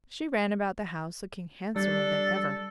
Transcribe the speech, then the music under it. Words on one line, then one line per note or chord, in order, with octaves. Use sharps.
She ran about the house looking handsomer than ever.
G3 D4 A4